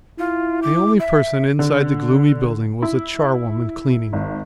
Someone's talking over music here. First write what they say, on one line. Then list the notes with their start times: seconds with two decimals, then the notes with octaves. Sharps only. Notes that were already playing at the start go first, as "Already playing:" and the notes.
The only person inside the gloomy building was a charwoman cleaning.
0.19 E4 F4
0.62 D6
0.99 E5
1.59 D3
2.82 E4
4.13 G#1